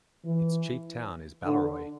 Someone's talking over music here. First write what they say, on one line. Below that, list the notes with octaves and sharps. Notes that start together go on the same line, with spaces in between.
Its chief town is Balleroy.
E3
D3